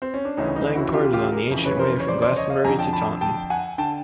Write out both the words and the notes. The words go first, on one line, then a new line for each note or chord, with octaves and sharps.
Langport is on the ancient way from Glastonbury to Taunton.
C4
C#4
D4
D2 C#3 E3 C#4 D#4
C#4 D#4
E4 F#4
F4 G4
F4 G4
G#4 A#4
F2 C#3 E3
B4 C#5
A#4 C5
C#5
C5 D5
C5 D5
C#5 D#5
D#5 F5
F2 D3 G#5 A#5
G5 A5
A5 B5
G5 A5
F#5 G#5
D3 G5 A5